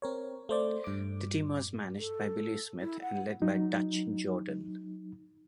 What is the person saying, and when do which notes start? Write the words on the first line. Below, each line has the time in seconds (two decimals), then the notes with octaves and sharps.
The team was managed by Billy Smith and led by Dutch Jordan.
0.02 C4 A#4 C#5
0.49 A3 C5 D5
0.84 G2 D6
1.98 A4
2.81 E4
3.01 F#5
3.42 F#3 D#4